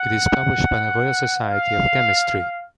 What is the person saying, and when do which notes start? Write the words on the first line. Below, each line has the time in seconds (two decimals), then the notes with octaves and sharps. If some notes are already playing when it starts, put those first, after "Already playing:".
It is published by the Royal Society of Chemistry.
Already playing: F#5
1.44 F5